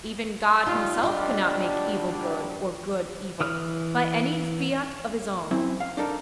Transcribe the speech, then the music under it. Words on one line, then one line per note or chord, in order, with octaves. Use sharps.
"Even God himself cannot make evil good or good evil by any fiat of his own."
C#3 G3 D#4 F4
B1 G3 D4 F4 D#5
E3 D#6 F6
F#2 C4 E4
F5
D4 D#4 A4 A#4